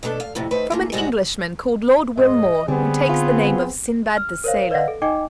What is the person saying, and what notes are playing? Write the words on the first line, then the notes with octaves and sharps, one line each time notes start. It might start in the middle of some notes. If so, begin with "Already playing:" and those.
"From an Englishman, called Lord Wilmore, who takes the name of Sinbad the Sailor."
B2 A3 D4 A4
F5
F2 A2 C3
D#3 A3 B4 C5
E3 A3 A#3
G#2 C3 G3 G#3 F#4 G#4
G#2 D#5
D3 G3 B3 C4 G#4
F4
F6
A#4 C5 C#5 F5
B4 D5 D#5 F5 F#5 A#6
A4
D#4 D#5 G5 G#5 D6